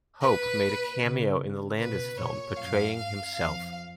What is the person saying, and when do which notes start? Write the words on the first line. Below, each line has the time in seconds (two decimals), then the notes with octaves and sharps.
Hope made a cameo in the Landis film, portraying himself.
0.21 A#2 B4
0.61 A#2
1.00 C#3
1.78 B2 B4
2.17 A#2 C#5
2.56 F#2 F5
2.96 F5
3.34 F2 F5